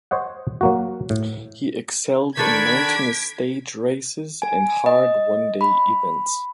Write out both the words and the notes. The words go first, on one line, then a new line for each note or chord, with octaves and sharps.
He excelled in mountainous stage races and hard one-day events.
C5 C#5 D#5 F#5
F#3 A#3 F#4
A2
D#3 D4 A4 B4 G#6 B6 D7
G#5
D#5
B5